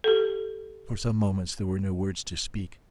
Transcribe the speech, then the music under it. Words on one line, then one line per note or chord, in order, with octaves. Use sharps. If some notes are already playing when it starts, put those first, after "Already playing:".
And for some moments there were no words to speak.
G4 A4